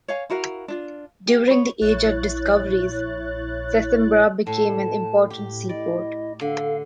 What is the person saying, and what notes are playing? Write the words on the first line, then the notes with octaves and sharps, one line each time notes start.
During the Age of Discoveries, Sesimbra became an important seaport.
C#5 F5 G#5
E4 F#4 A#4 F5
D4 F4
G4
B4 C#5
A#1 E4 C#5 F#6 A6
A2 A5
A2 G4
E4 D5 D#5
D3 F5